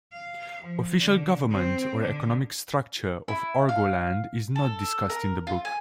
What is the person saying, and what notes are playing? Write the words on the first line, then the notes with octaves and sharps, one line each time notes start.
Official government or economic structure of Argoland is not discussed in the book.
F5
F3
D3
C4
D3
E4
F5
A4
A#4
F4
G#5